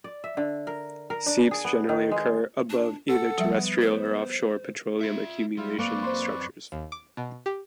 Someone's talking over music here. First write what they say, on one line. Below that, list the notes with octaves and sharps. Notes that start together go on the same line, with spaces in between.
Seeps generally occur above either terrestrial or offshore petroleum accumulation structures.
D5
E5
D3
A#4
A#4
D4
G#4
B3
D#3
G#3
D4
A4 F#5
F3 G3 E5
B3
C5
F4 E5
G3 E4 F4
F#2 A#3 C4 B4 D5 C#6
C5 C6
D#2
D6
B2
G4